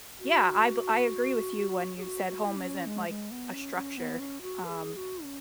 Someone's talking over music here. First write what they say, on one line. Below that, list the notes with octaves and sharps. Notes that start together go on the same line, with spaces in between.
yeah, I be I agree with you when you said home isn't, like, a structure, um,
F#4
G#4
F#4
F#4
E4
C#4
G#3
G#3
B3
C#4
C#4
B3
C#4
F#4
B4
G#4
G#4
F#4
C#4